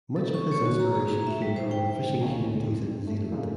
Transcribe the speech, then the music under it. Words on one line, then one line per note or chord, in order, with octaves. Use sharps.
Much of his inspiration came from the fishing communities in Zeeland.
A4
C#6
C#5
F#4
A#5
G#4
A#5
E5
G3
C5
G5
D2 D#3 F3 C#4 G#5 A#5
F2
A3
F#2 A2 C#3 G#3 A#3